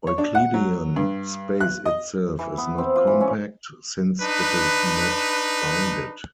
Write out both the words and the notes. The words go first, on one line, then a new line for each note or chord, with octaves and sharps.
Euclidean space itself is not compact since it is not bounded.
C#5
D4
F#5
F#3
G2
F#6
D#5
E3
B3
C4
F4
E3
C#4
D4 D#4 B4